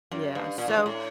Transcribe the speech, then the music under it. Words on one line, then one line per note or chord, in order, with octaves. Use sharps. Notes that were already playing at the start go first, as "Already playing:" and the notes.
Yeah, so,
F#2
G2
A#2
A2
G2
A2